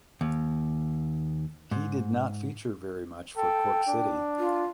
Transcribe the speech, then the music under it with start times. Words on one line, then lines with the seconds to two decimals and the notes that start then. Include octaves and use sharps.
He did not feature very much for Cork City.
0.21 D#2
1.71 G#2
3.37 A4 G5
3.89 D4
4.39 F4